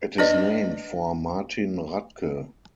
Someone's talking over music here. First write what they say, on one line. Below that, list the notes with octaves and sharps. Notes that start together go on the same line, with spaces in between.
It is named for Martin Rathke.
D4 B4 D5 D#5